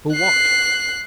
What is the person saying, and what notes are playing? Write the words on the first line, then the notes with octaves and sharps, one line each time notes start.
For what?
F#6 C7